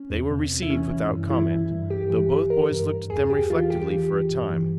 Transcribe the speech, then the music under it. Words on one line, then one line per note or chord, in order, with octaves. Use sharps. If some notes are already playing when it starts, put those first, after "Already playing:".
They were received without comment, though both boys looked at them reflectively for a time.
Already playing: C#4
E2
C3
E2
E4
E3 C#4
E3
G2
E3 E4
E3
G2
G2 G4
E3
E3
E3 A#4
G2
G2
E2 G#4
E2 G4
E3 F4
E2 G4
E3
E2
G2
E3